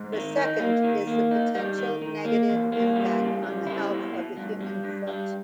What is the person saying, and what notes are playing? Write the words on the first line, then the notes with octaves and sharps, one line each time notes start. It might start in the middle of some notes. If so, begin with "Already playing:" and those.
The second is the potential negative impact on the health of the human foot.
Already playing: G#2
D#3
D#4
A#3
D#3
A#3
D#4
G3
D#3
D#3
A#3
E2
A#3
G3
C#3
G3
E4
B2
B2
G2
G3
G2
G3